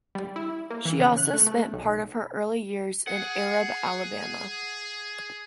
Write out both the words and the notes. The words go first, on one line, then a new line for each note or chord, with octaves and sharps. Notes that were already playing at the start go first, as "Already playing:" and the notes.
She also spent part of her early years in Arab, Alabama.
G3
E4
A#3
E3
C#3
F#6
A3
A3
B1
G#4 F#5